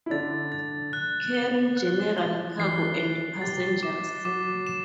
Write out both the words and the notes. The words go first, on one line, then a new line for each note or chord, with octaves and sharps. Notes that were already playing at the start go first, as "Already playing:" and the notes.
Carrying general cargo and passengers.
E4
D3 D4 A6
A6
F#6
G7
F#6
G7
E3 E4 C7
G7
G3 G4 A6
D6
F#3 F#4 D6
E7